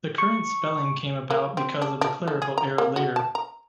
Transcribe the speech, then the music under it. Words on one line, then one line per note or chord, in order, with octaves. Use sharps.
The current spelling came about because of a clerical error later.
C#6
A#3
C4
D4
D4
A3
G#4
A#5
A#3
F#4
A5
A#5